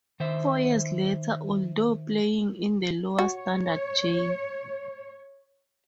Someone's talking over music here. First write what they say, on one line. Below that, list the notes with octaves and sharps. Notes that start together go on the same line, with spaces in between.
Four years later, although playing in the lower standard J.
D#3 C5 E5
F#4 C#5